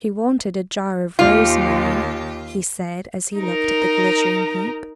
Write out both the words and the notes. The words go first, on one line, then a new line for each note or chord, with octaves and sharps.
"She wanted a jar of rosemary," he said as he looked at the glittering heap.
D#2 F4 G4
D#4 A#4